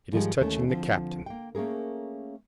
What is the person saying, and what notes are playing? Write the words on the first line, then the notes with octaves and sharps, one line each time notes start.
It is touching the Captain.
G#2 D3 D#3 F3 G3 G#3
D#2 E3 A3 C#4
D3 F3 C4
A#3 G5
A3 A#3 C#4 G#4 A#4